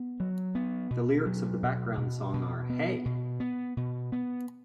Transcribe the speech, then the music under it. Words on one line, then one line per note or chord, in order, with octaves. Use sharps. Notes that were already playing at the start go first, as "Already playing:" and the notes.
The lyrics of the background song are Hey!
Already playing: B3
F#3
B3
B2
F#3
B2
B2
B2
B3
B2
B3
B2
B3